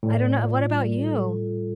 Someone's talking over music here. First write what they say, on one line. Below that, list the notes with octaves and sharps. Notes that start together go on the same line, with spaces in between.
I don't know What about you?
A2 D5
F4
G3
A4
F4